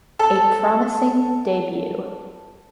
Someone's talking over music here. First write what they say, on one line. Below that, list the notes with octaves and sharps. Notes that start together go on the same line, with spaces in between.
A promising debut.
A4 A5